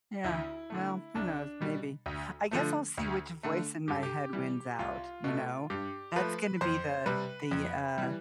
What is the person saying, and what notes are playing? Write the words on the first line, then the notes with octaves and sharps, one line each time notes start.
Yeah. Well, who knows? Maybe. I guess I'll see which voice in my head wins out, you know? That's gonna be the the, uh
D2 E4
D3 A3
C2 D4
B2 G3
D2
D3 F3 A3
D2
D3 A3
G2 G4
A4
G4
E3 G3
C2 F4
B2 A3
G2 G4
F3 A3 B4
F2 C5
C3 G3 B4
F2
E3 G3